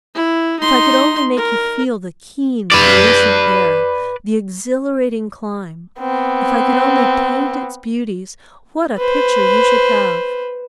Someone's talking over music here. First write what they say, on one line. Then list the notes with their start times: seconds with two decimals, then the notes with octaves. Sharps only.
If I could only make you feel the keen, bracing air, the exhilarating climb; if I could only paint its beauties, what a picture you should have!
0.15 E4
0.60 D#4 C6
1.37 A#4
2.72 B4 D5
6.00 B3 C4
8.98 B4 C5